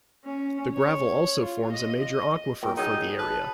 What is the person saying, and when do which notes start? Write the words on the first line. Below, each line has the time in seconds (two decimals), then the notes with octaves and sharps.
The gravel also forms a major aquifer for the area.
0.24 C#4
0.72 C#5
1.39 F4
1.71 D#5
2.02 D#5
2.63 A#2 G5
2.77 A#2 F#3 D#4 G#4
3.19 B4 A5